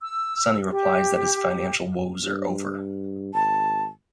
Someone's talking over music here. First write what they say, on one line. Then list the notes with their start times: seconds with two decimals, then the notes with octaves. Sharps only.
Sunny replies that his financial woes are over.
0.01 E6
0.71 G4
2.24 G2
3.34 G#1 A5